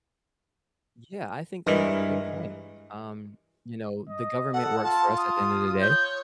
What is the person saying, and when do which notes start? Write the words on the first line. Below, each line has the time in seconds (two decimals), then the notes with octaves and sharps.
Yeah, I think that's a great point, um, you know, the government works for us at the end of the day.
1.67 G2 E3 G#3 D#4 A#4
4.09 D#5
4.54 A4 F#5
4.84 F4 A5
5.18 D#6
5.82 C#5 G6